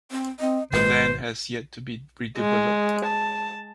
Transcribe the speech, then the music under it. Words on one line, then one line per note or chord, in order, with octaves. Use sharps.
The land has yet to be redeveloped.
C4
C4 D#5
G#1 G#3 B4 C5
G#3
A5